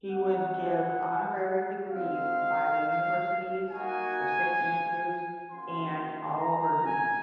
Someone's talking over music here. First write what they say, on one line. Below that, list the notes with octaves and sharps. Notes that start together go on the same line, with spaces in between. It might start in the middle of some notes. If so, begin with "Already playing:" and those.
He was give honorary degrees by the Universities of St Andrews and Aberdeen.
C4 D#4 F#4 F#5
G#3 C4 D#4 F#4 F5
A#3 D#4 F#4 G#5
A#3 C#4 F#4 C6
C6
A#5
G#5